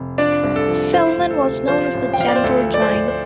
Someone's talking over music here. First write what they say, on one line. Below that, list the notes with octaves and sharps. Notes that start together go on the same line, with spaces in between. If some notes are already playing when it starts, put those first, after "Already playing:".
Selmon was known as The Gentle Giant.
Already playing: F1
F3 D4 D5
C2
A4
F3
F3 C5
D2
A4
C3
F3 C5
A1
G5
F3 F5
D5
C5
D2 A4
F3
D5
C5
D2
C5